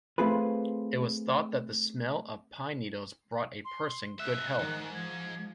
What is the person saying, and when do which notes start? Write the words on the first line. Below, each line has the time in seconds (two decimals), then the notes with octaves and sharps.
It was thought that the smell of pine needles brought a person good health.
0.18 A3 C4 F4 G#4 B4
3.65 C6
4.20 C#2 E5 F#6
4.59 G#2 D#3
4.94 F3 G#6